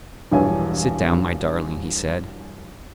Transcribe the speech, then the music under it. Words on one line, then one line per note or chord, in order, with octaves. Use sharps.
"Sit down, my darling," he said.
E1 A#1 G2 E3 C#5 G#5